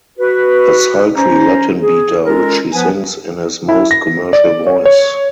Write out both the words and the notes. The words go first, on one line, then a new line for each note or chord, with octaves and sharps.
A sultry Latin beater which he sings in his most commercial voice.
F#4 B4
C#4 C5 A#5
G#4
G#3 C#4 F4 A4 A#4
F3 B3 B4 G#5
E4
A#6
D5
C#5
C#5